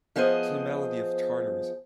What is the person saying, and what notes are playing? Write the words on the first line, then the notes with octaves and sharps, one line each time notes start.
To the melody of Chartres.
F3 B3 G#4 C5 D#5